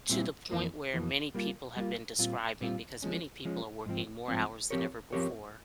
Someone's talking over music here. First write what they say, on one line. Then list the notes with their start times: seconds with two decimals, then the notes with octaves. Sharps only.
to the point where many people have been describing because many people are working more hours than ever before,
0.10 A#2 G3 C4 E4
0.51 F2 E3 A#3
0.94 F2 E3 A#3
1.35 G3 A#3 F4
1.76 G3 A#3 F4
2.19 A#2 G3 C4 F4
2.61 A#2 G3 C4 F4
3.02 F3 G#3 C#4
3.45 F3 G#3 C#4
3.86 G#2 F3 C4
4.28 G#2 F3 C4
4.70 F3 C4 G4 A#4 C#5
5.13 F3 C4 G4 A#4 C#5